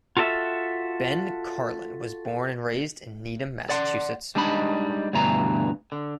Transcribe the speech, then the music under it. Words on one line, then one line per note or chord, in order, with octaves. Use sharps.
Ben Karlin was born and raised in Needham, Massachusetts.
F4 F#4 A4 D5 E5
D5 F#5 C6
G3 G#3 D4 D#4 B5
D2 G2 B2 E3 A#5
D3